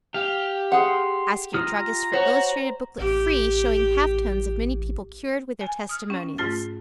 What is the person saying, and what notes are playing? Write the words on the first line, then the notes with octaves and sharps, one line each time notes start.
Ask your Druggist for illustrated Booklet FREE, showing half tones of many people cured, with their testimonials.
G4 F5
G#4 F#5 C6
F4 A#5 D#6 F6
F#4 C5 C#5
A1 G4
G#5
D#6 F6
C#4
G#2 A3 F4 A6